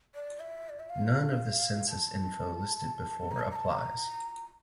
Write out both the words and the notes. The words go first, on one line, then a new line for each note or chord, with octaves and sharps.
None of the census info listed before applies.
D5
E5
D5
E5
F5
A5
A#5
A5
A#5
A5
A#5